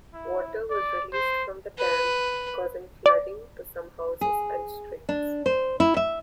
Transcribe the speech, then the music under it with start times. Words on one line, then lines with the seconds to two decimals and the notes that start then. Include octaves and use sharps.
Water was released from the dam causing flooding to some houses and streets.
0.13 E4
0.70 D5
1.13 C5
1.79 B4
3.06 D5
4.21 G#4
5.09 D4
5.46 C5
5.80 E4
5.97 E5